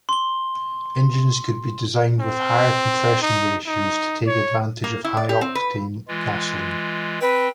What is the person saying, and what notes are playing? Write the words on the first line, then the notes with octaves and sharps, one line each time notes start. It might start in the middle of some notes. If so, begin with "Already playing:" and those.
Engines could be designed with higher compression ratios to take advantage of high-octane gasoline.
C6 G7
C4
D#4
D#4
C#5
A#3
E4
D5
G4
C4
B4
E3 G#3 F4
C4 B4 G5